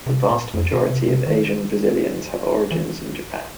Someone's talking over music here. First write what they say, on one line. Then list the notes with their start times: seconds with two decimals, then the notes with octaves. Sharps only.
The vast majority of Asian Brazilians have origins in Japan.
0.07 C3
0.31 A#2
0.54 F2
0.72 B2
0.90 C3
1.08 C3
1.26 D#3
2.71 E3